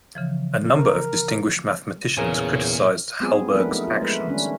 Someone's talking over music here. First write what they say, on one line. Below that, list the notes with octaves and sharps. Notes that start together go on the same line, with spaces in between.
A number of distinguished mathematicians criticised Hallberg's actions.
C#3 E3 F3
A#4
E2 A#2 C#3 A#4 G#5
F#3 G#3 B3 C4 F4 G#4
F3 A3 B3 D4 A#4 B4
A3 D#4
F4
G#3 A3 B4
D#3 G3 A3 C#4 D4